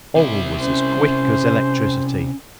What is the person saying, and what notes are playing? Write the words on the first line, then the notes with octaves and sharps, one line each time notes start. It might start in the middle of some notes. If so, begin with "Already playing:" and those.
All was as quick as electricity.
C3 E4
C#4 C5